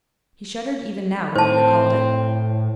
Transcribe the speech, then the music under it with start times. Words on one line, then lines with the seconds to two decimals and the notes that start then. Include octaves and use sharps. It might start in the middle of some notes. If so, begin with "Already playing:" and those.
He shuddered even now when he recalled it.
1.36 A2 C4 C5 A5